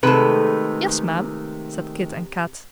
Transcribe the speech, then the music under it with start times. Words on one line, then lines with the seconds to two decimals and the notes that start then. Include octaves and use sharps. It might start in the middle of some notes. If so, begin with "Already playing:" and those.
"Yes, Ma'am," said Kit and Kat.
0.03 C3 D#3 G#3 A3 G#4 A4 B4